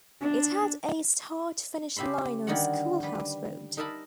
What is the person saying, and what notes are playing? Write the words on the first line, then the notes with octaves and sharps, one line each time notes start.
It had a start-finish line on Schoolhouse Road.
D4
C#3 G4 E5 B5 C6
D3 D#3 G3 D#4 F#4 F#5
G3 B4
D#4 A#4 D#5 E5 A5 B5